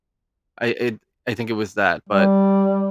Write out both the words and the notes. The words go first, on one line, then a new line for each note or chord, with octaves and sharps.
I, i I think it was that, but
G3